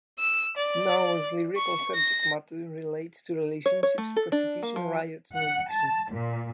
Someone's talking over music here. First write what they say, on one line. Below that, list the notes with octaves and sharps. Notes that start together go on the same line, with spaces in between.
Nowell's lyrical subject matter relates to relationships, prostitution, riots, and addiction.
E6
D5
C#6
A#6
C#5
C#5
A3
A4
D4
A#3
F3
F#5
A5
A#2